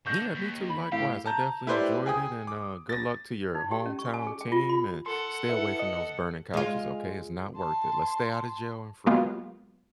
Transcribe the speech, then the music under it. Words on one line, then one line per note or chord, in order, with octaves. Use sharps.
Yeah, me, too, likewise, I definitely enjoyed it, and, uh, good luck to your hometown team, and stay away from those burning couches, okay? It's not worth it, let's stay outta jail, and free.
D3 C#6 G6 A#6
D#2
B5
A2 E4 G4 F5
A5 A#5 G6
A3 E4 G4 B4 C5 D5
G#4 G5 D#6
D6
A6 A#6
D#4
G4
C#4
C#6
G#5
G#4
G5
F4
B5
A4 F#5 C6
E4 B4 E5
D#5
G#3 F4
A5 C6
F#3 G#3 A#3 B3 F4 G4